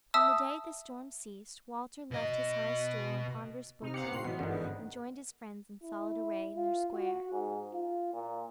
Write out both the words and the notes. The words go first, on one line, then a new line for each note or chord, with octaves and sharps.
On the day the storm ceased Walter left his high stool and ponderous book early and joined his friends in solid array in their square.
E5 A5 D#6 E6
B2 D#5
C3 D#4 F6
C4 G4 F5 F#5 C#7
A2 F#4 F#5 C6 C7
B2 E3 B3
G1 G#2 D3 D#3
E4
F4
F#4
G#2
F4
A#2